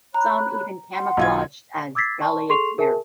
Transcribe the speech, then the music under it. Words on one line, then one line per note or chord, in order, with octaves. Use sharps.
Some even camouflaged as "Gauleiter".
C#5 A#5 B5 F#6
F#5 C6
B1 F4 G#6
D6 E6 G#6 A6 B6 C7
D5 A5 C6 C#6
G#4 A4 C6 C#6 C7 F7
G#4 A#4 E5 G#5 A5